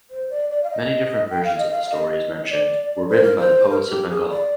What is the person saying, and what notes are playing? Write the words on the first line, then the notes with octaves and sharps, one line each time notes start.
Many different versions of the stories mentioned were written by the poets of Bengal.
C5
D5
D5
F5
D#5
G5
F5
D#5
F5
D#5
D5
C5
A#4
C5
A#4
G4
G#4
D5